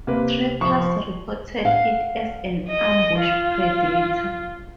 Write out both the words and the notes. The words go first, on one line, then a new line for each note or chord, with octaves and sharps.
Trappers reported it as an ambush predator.
C3 A#3 B4
F3 C#6
F5 F#5
D#5
F4